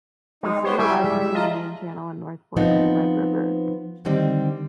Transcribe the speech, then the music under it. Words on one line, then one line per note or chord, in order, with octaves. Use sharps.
The city lies between the main channel and north fork of the Red River.
G#3 D#4
B3 G4 C5 C#5
G3 E4 E5 G5 G#5
G#3 E5
E5
F4 D#5 A5 A#5
F3 B3 C4 D#4
D3 D#3 G3 C4